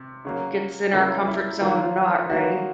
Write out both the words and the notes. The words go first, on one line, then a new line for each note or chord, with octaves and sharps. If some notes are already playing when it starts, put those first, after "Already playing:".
gets in our comfort zone or not, right?
Already playing: C3
C#3 F#3 A#3
C#3 F#3 A#3 E4
E4
D#3 F#3 A#3 F4
D#3 F#3 A#3 F#4